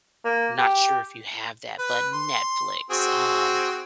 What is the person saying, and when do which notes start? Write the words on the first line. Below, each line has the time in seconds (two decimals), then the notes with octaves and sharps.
Not sure if you have that, but Netflix, um,
0.24 A#3
0.58 G4
1.79 B4
2.13 C6
2.90 C4 F#4 G#4